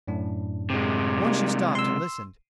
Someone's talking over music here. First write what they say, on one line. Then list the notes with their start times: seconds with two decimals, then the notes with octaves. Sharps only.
Once she stopped and listened.
0.08 F#2 A2 D4
0.70 C3 G#3
1.26 G3 A#3 D#4
1.75 C6 E6